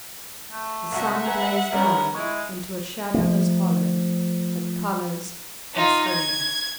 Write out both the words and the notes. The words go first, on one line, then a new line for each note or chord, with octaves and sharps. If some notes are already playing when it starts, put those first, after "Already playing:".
The sun blazed down into a shadowless hollow of colours and stillness.
A3
C2 F#4 E5 F#5
B4 G#5 A#5
G3 B3 C#4 A#4
G#3 E4 C#6
F3 A3
D#4 F4
G#6